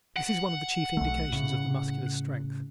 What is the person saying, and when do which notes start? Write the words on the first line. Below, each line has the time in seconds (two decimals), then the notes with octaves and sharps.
This is one of the chief indications of the Muscular's strength.
0.16 F#5
0.97 B1 A3
1.32 A2 C#3